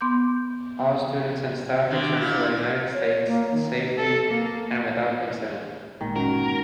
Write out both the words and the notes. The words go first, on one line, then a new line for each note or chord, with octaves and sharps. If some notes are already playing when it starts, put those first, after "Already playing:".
All students and staff returned to the United States safely and without incident.
B3 C6 D6 G6
D3 D#3
A#2 E4
C#5
A#3
D#3
A4
A#3
G1 A#2 D#3 G#3
F#3 C#4 A#4